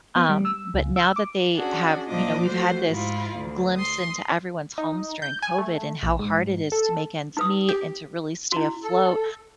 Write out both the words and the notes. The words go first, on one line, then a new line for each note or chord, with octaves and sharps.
um, but now that they have, you know we've had this glimpse into everyone's homes during COVID and how hard it is to make ends meet and to really stay afloat,
B3
G3
E6
C#2
E6
D6
C#4 D4 F#4 G#4
A#2 F3 D4 D#5 D6
F3 A3 F#4 C5
G#2 E4 F4
D2
C6 D#6
D#4
G6
G#5
A3
A#1
G#2
A4
D#4 B4 D#6
G4
E4 F#4
A4